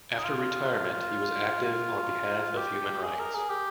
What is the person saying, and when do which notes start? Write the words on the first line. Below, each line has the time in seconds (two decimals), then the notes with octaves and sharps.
After retirement he was active on behalf of human rights.
0.18 D#4
0.24 F4
1.64 F4
2.57 G4
3.04 G#4
3.19 A#4
3.35 G#4
3.50 G4